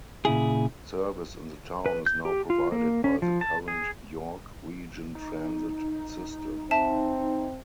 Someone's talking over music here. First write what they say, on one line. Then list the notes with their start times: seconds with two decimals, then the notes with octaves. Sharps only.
Service in the town is now provided by the current York Region Transit system.
0.25 A#2 C#3 E4 G#4
1.86 B4
2.06 G6
2.25 G4
2.50 F4
2.72 A#3
3.04 C#4
3.22 F3
3.41 A5
3.68 G#4
5.15 D#4
6.71 C4 E5 A5